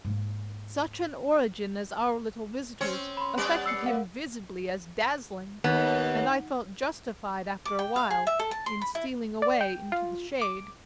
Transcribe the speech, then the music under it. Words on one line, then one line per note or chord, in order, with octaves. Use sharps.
Such an origin as our little visitor's affected him visibly as dazzling, and I felt justified after a while, in stealing away into the shade.
G#2 A#3
C4 C#4 C#5
B5 C6
G3 B3 D5
E6 C7 C#7
A#4 F5 F#5
D#2 B3
D6
G5
F5
G#4
E5
A4
A5
C6
B5
E4
D5
G5
F4
D6